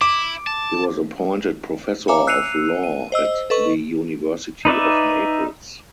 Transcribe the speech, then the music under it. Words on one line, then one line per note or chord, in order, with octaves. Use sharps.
He was appointed professor of law at the University of Naples.
E4 D6
A5
C#5 E5 F5 G#5 A#5 D6
E6 F#6 C7 C#7 D#7 F7
D#7
C5 D#5 E6
A4 B4 D#5 C#6
D#4 B4 D5 E5